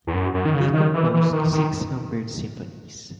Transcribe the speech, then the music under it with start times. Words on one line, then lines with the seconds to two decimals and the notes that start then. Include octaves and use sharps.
He composed six numbered symphonies.
0.07 E2
0.14 F#2
0.34 F#2
0.45 D#3
0.54 C#3
0.73 D#3
0.94 E3
1.14 E3
1.33 D#3
1.52 D#3